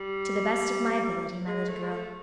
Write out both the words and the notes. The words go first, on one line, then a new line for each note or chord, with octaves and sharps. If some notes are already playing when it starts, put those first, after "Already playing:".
"To the best of my ability, my little girl."
Already playing: G3
G#3
A3
G#3
A3